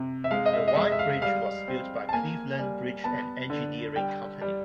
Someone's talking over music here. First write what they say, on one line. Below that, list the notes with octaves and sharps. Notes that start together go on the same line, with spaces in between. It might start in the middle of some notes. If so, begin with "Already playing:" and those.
The Wye Bridge was built by Cleveland Bridge and Engineering Company.
Already playing: C3
E5
G#3 F5
D#5
E5
D#5
G#3 E5
E5
F5
G3 F5
C4
A5
A#3 G#5
G3
B3 A5
D3
G3 G5
G3